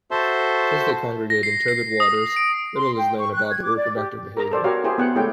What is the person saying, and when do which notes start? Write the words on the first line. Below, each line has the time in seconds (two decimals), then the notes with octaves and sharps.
Since they congregate in turbid waters, little is known about their reproductive behavior.
0.11 F#4 A4 C5 E5 A5 C6
1.30 A#6
1.43 C7
1.68 C7
2.00 D#6
2.14 D#6
2.37 D7
2.76 C6
2.97 G5
3.19 C#6
3.34 F#6
3.49 G#6
3.63 D6
3.77 D5
3.95 G4
4.37 A#4 A#5
4.51 A4 C5 D5
4.64 F#4 G4 A#4 C#5 F5
4.84 E4 G4 G#4 C5
4.98 B3 F#5 G5
5.15 G#3 A3 E4 G4 C#5 G5